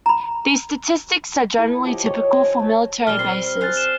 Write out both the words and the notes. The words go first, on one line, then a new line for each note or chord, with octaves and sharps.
These statistics are generally typical for military bases.
A#5 B5
E4 A4 A#4
F3 G4 D#5
C#5
C5 G#5 A#5
A3 C#5
A#2 G3 F6 G7
C4 C7
C5 F5 G#5 F6 F#6 A6
F6 E7 G7